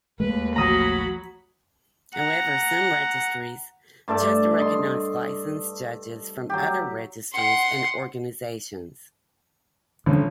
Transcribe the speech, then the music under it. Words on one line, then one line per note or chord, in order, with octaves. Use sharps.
However, some registries choose to recognize licensed judges from other registries and organizations.
D#2 G#3 A3 B4
A1 F3 F#3 A3 A#5 B5 D#6 A#6
F#5 A#5
G2 A3 D5 A5
D#5 C6
F#3 G4
F#5 C6
B1 D3 F3 C#4